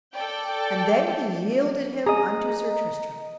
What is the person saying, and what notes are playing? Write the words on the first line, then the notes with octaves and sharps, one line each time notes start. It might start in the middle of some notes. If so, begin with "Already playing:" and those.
And then he yielded him unto Sir Tristram.
A4 D5 G5
G#4 D#5 A#5